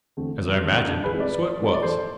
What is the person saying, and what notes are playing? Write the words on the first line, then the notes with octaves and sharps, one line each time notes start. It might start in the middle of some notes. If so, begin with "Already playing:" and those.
As I imagined, so it was.
E2 D3 A3 C4
E1
E2 D3 A3 C4
A1 D4
G#4 B4
G#2 E3 A3 C4
B4 D5
A1
G#2 E3 A3 C4
D5
E2 A4 C5